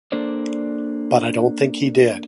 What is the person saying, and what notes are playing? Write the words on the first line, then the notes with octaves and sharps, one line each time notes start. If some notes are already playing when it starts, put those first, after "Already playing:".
But I don't think he did.
A#3 D4 A4 C5 D5